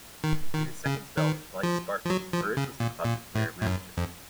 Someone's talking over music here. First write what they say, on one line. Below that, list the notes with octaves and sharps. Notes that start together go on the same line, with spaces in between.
In his second spell with Blyth Spartans, Burridge was the club's player-manager.
D#3
D#3
C#3
D#3
F3
F3
F#3
F3
C#3
A#2
A#2
A2
A2
F#2
F2